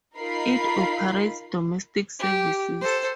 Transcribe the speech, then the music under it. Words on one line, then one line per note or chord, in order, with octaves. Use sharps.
It operates domestic services.
D#4 F4 A#4 B5 C7
G4
A4 C5